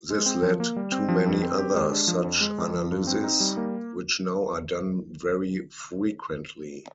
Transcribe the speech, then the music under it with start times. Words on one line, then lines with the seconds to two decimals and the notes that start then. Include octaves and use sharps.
This led to many other such analyses, which now are done very frequently.
0.10 G#3
0.26 C4
0.42 F3
0.60 A#3
0.76 G3
0.92 C4
1.08 F3
1.26 F2
1.43 C4
1.58 G4
1.74 G#3
1.92 D4
2.08 F3
2.24 F2
2.41 G#3
2.58 F2
2.74 F3
2.91 G2
3.07 C4
3.24 D#4
3.40 G3
3.57 A#3